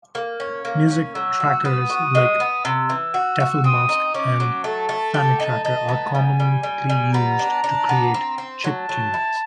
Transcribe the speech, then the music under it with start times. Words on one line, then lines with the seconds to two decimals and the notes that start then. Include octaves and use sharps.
Music trackers like DefleMask and Famitracker are commonly used to create chiptunes.
0.15 A#3
0.40 C#4
0.65 A#3
0.90 C#4
1.15 F#3 E6
1.40 F#4
1.65 B3 D#6
1.89 F#4
2.15 G#3
2.40 B3
2.65 C3 E6
2.90 E3
3.14 F#4
3.40 F#4
3.64 C4 D#6
3.89 D#4
4.14 C#4 D6
4.40 F#3
4.64 A3 A5
4.89 A3
5.14 G4
5.40 D#4
5.65 D#4
5.88 B3
6.14 G3 G#5
6.40 G3
6.63 G3
6.89 G3
7.14 B3 A#5
7.39 D4
7.64 D4
7.89 B3
8.14 C4
8.38 C4
8.64 F#3 A5
8.89 F#3
9.14 E4